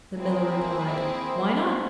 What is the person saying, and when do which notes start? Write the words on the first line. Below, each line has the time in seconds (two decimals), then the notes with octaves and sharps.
The miller replied, 'Why not?
0.16 A#3 C4 E4 G#4